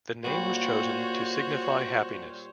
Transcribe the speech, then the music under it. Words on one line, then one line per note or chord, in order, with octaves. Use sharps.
The name was chosen to signify happiness.
A#2 G3 F#4 C5 C#5